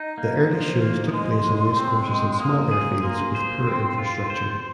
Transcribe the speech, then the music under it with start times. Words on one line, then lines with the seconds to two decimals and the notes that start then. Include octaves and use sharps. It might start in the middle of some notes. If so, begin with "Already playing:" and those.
The early shows took place on racecourses and small airfields with poor infrastructure.
Already playing: D#4 D#5
0.18 A#3
0.49 F3 C5
0.81 A#3
1.07 D#6
1.12 G#3 C6
1.44 G#3
1.77 C4
2.07 G#3
2.39 A#3 D#6
2.68 G#4 D#6
3.03 A#3 C6
3.35 C5
3.67 C4
3.98 F4
4.30 C5